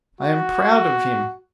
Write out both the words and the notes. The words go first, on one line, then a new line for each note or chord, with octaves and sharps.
I am proud of him.
F#4